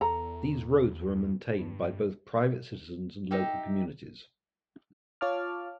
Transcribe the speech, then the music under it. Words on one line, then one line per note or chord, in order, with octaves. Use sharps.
These roads were maintained by both private citizens and local communities.
E2 A4 A#5
G2
D#4 G4 E5 G5
F4 C#5 F5 A5 D6 F6